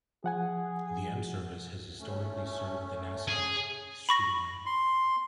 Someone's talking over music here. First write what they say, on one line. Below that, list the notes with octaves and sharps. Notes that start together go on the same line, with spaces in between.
The M service has historically served the Nassau Street Line.
F3 G#4 F#5 G#5
A3 C#4
G#4
B5 C#6 A#6
C6